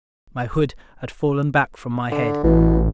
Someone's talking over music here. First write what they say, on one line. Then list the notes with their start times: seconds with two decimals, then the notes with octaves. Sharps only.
My hood had fallen back from my head.
2.12 D3
2.44 A1 B2 E3